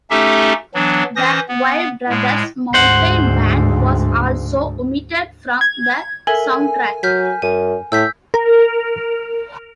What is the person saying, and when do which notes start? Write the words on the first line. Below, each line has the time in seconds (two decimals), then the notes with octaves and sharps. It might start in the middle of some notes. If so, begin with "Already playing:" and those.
"The Vile Brothers Mountain Band" was also omitted from the soundtrack.
0.10 A3 C#4 D#4 G4 A4 E5
0.74 E3 F#3 B3 D4
1.16 E3 C#4 C5 D#6 A#6
1.48 B3
2.09 A2 G#3
2.74 D2 G#2 C5 F#5
5.61 G#6
6.27 A4 A#4 E5 G#5
7.03 F#3 F6 G6 B6
7.42 F#2 G#5
7.92 A2 E6 G6 B6
8.34 A#4